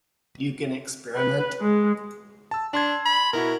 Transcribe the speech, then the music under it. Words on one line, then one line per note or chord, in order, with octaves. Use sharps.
You can experiment.
B4
G#3
A5 E6
D4 A5 C6 G#6
B5
B2 E4 F#4 A#4